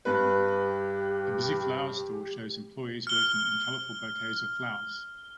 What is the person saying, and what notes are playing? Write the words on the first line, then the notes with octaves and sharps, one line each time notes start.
A busy flower store shows employees working and colorful bouquets of flowers.
G2 G4 B4
F6 G7